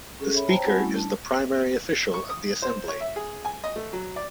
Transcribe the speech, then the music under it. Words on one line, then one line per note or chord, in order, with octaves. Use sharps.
The Speaker is the primary official of the Assembly.
C#4 G#4 A4
C#5 E5 B5
C5 C#5 G5 A5 A#5
C4 F#4 F#5 G#5 A5 B5
G3 A3 C#4 E4
D4 A5
C#6
D#6
C5
C#5
E5
G#4
G#5
D#5
A3
F#3
D5